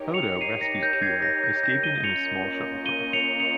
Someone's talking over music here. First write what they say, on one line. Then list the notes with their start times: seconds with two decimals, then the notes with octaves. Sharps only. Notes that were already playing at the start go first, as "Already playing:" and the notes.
Odo rescues Kira, escaping in a small shuttlecraft.
Already playing: D#4 G4 A#4 C#5
0.14 C#7 F7
0.41 C7 D#7
0.61 A#6 C#7
0.83 G6 A#6
1.02 G#6 C7
1.22 G6 A#6
1.43 G6 A#6
1.63 G6 A#6
1.83 D#7 G7
2.04 A#3 C#4 F4 A#4 D#5 C#7 F7
2.86 D#7 G7
3.13 C#7 F7
3.40 C#7 F7